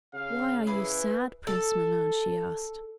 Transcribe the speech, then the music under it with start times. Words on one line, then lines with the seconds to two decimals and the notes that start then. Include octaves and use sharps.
"Why are you sad, Prince Milan?" she asked.
0.14 C#3 F5
0.66 E4 G#4 B4 B5 D6
1.47 A4